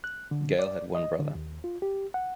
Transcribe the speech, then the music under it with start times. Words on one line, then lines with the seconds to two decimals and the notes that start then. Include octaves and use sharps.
Gale had one brother.
0.04 F#6
0.31 D3
0.59 D5
0.95 D#5
1.19 D3
1.35 D#2
1.64 F4
1.82 G4
2.14 F#5